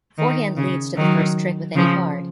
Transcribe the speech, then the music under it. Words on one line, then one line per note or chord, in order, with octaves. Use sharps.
Forehand leads to the first trick with any card.
D#3
C#3
D#3 F#3
C#3 F3